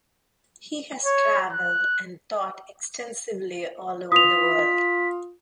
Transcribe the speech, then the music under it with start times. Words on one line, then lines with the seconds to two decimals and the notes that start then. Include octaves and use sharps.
He has traveled and taught extensively all over the world.
1.05 C#5
1.52 F#6
4.12 F4 D#6 B6 F7